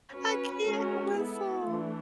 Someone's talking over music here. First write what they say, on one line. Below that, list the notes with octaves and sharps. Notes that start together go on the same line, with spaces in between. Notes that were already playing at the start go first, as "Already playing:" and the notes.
I can't whistle.
C#4 F#4 B4
G#3 C#4 F#4 A#4
B3 E4 A4
E3 A3 D4